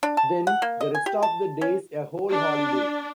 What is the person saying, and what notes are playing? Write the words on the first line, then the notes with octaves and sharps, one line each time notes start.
Then the rest of the day's a whole holiday.
D4
A5
F#5
A#3
D#5
G#5
G4
A5
C#4
D4